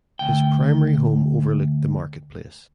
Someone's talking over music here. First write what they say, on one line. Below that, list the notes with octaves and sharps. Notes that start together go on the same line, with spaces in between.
His primary home overlooked the market place.
D2 G5